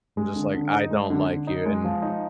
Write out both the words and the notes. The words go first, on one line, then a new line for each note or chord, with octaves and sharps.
I'm just like, "I don't like you, and"
G#3
D3
D3
D#4
G#3
D3
D3
D#4
G#3
F3
D#4